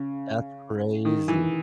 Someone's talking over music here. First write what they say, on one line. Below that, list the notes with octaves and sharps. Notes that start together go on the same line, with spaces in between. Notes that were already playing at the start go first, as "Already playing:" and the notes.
That's crazy.
Already playing: C#3
D#3
E3